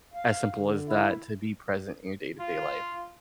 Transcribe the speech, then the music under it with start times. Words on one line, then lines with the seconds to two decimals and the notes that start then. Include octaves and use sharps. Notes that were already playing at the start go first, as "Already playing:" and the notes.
as simple as that to be present in your day-to-day life,
0.14 F5
0.54 D3
0.89 E4
2.41 F4